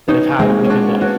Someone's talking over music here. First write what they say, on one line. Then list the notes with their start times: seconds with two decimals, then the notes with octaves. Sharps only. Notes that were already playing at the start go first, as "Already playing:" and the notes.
that I've had a weekend off.
0.08 B3 C#4 D#4
0.39 G#3 A#3 C4
0.65 C#4
0.70 C4 D4 F#4
1.01 B3 C#4 F#4